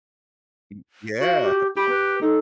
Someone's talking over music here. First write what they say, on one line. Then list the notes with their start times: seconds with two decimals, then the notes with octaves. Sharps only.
Mm, yeah.
1.21 F#4 F5
1.42 G4
1.77 G4 B5
1.89 B4
2.21 D#4 A4